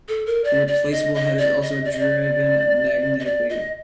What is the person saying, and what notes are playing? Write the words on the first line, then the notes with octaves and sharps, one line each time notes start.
The replaceable head is also driven magnetically.
A4
A#4
D5
D5
D#5
D#5
D5
D#5
D5
D#5
D5
D#5
D5
D#5